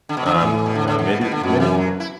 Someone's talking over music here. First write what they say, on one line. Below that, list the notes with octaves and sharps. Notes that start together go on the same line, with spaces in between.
um, uh, made it made it
D3
B2
D3
E3
A2
B2
D3
D3
D3
B2
B2
D3
F#2 B2
E3
F#3
E4